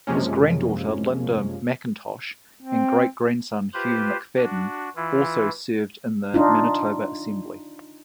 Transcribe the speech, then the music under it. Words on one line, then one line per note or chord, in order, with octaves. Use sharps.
His granddaughter Linda McIntosh and great-grandson Hugh McFadyen also served in the Manitoba assembly.
F#2 C3 F3 G#3 A#3 C#4
C4
F4 G4 B4 C5
D4 F#4
E3 E4 F4
D4 D#4 F4